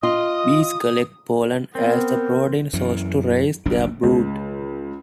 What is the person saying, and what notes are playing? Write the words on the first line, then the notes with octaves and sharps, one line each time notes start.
Bees collect pollen as a protein source to raise their brood.
F4 D#5 D#6
B3 C4 A#4
F#2 E3
F#1 B1 D4
C#2